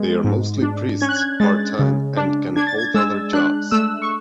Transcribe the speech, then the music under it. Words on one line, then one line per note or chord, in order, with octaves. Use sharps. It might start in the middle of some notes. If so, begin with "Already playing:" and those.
They are mostly priests part-time and can hold other jobs.
Already playing: G#3 B3
G#2
D4
C#4 G#6
F#6
G#6
G#3 A6
C#3
D4
D4 G#6
A6
G#6
G#3 E6
D4 F#6
A3 E6
C#6